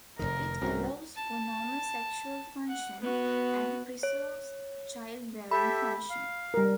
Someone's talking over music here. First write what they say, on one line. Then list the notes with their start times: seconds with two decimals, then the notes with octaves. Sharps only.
It allows for normal sexual function and preserves childbearing function.
0.19 F1 B1 D#3 A#4
0.61 C2 G#2 C4 C#4 F#4
1.16 A5
2.68 F#5
3.00 B3 F#4
4.03 C#5
5.51 G4 A4 E5 B5
6.10 F5
6.54 G3 A#4